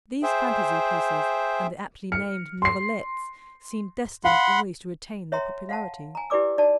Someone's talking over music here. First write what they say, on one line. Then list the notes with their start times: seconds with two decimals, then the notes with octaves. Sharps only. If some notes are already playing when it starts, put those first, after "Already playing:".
These "Fantasie Pieces" and the aptly named "Novelettes" seem destined always to retain their popularity.
0.23 G#4 C5 E5 G5
2.12 F6 C#7
2.62 C6 C7
4.25 F5 F#5 B5 C6
5.32 C#5 E5 G5 A#5 C6
5.69 F5 F#5 A5
6.15 G#5 A#5
6.30 E4 G4 B4 D5 D6 E6
6.58 D#4 D5 A5